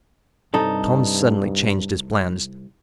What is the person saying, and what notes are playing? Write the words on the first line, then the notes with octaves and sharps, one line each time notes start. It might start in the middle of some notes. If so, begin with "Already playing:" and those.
Tom suddenly changed his plans.
C2 G2 C3 D#4 A4